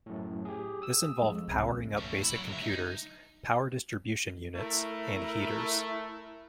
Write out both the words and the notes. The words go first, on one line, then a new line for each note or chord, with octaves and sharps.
This involved powering up basic computers, power distribution units, and heaters.
F#2 A2
G4 G#4
D#6 E6
F2 G#3
C2 C3
A3 C#4
E4
F#3 C#5
C#2 E5
D#4
A3 E4 A#4